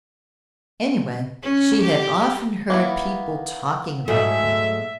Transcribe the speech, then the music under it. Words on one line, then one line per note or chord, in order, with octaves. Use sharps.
Anyway, she had often heard people talking about him.
C#4
G4
A#3 B3 E4
G#2 F#3 A3 E5